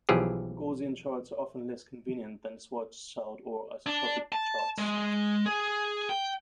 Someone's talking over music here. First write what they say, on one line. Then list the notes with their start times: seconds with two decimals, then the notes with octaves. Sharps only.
Gaussian charts are often less convenient than Schwarzschild or isotropic charts.
0.09 B1 E3 F3 G4 G#4
3.86 D4
4.32 A5
4.78 G#3
5.46 G#4
6.10 G5